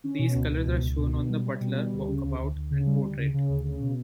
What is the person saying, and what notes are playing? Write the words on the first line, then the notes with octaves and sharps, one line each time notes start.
These colors are shown on the butler, walkabout, and portrait.
C#4
B2
C#2
B2
C#2
C#2
B2
B2
G3
G3
B2
G3
D2
C#3
D2
D2
D2
C#3
G3
D2
C#3
C#3
D2
C#3
B2